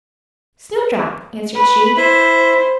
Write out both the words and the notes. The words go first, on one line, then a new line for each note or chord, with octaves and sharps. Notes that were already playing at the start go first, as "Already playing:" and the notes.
"Snowdrop," answered she.
B4
E4 C5 E5